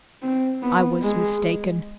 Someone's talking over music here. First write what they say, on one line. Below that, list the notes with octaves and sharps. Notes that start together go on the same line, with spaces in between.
I was mistaken.
C4
B3
G#3